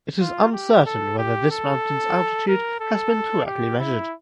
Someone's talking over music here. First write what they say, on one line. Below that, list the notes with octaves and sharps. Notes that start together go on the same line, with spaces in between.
It is uncertain whether this mountain’s altitude has been correctly measured.
F4
G4
A4
G4
A4
A#4
A4
G4
E4